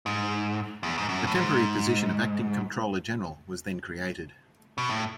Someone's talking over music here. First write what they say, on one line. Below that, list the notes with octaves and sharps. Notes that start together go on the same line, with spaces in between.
A temporary position of Acting Comptroller General was then created.
G#2
E2
G#2
F#2
A2
G#2
B2
A2